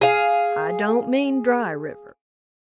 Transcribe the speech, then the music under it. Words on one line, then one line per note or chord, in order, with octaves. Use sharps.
I don't mean dry river.
G#4 F5